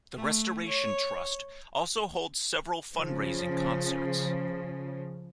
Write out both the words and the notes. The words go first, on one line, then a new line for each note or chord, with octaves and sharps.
The Restoration Trust also holds several fundraising concerts.
A3
C#5
C#3 F3